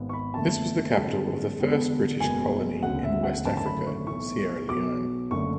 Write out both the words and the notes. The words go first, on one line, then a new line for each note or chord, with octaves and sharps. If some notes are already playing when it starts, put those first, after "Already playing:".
This was the capital of the first British colony in West Africa, Sierra Leone.
Already playing: G#1 G#2 G#3 B3
C#6
B5
F#1 E2 D3 A3 A5
F#2 D3 G#3 B3 A5
E2 D3 G#3 B3
F#1 E2 B2 G#3 B3 G#5
E1 D2 C#3 F#3 F#5
E5
F#5
G#1 F#2 D3 A3 A5
A5
B5
C#6
B1 A2 E3 C#6
B1 B2 F#3 B3 D6
F#1 F#2 D3 A3 C#6